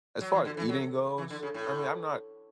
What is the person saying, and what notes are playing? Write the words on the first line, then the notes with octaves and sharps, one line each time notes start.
As far as eating goes, I mean, I'm not
F#3
E3
D3
E3
F#3
E3
D3
C#3
A2